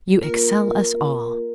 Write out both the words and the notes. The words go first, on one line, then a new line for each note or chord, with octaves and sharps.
"You excel us all."
A#3 F4 A#4